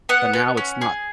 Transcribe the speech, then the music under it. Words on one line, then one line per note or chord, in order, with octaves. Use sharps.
but now it's not
B3 F#5
B3
C#4
G#4